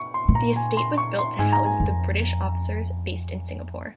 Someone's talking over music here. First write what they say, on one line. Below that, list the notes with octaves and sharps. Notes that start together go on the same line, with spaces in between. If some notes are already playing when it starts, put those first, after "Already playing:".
The estate was built to house the British officers based in Singapore.
Already playing: C#6
C6
A#2
A#5
G#5
C6
C#6
C6
G#2 G#5
A#5
G#5
F2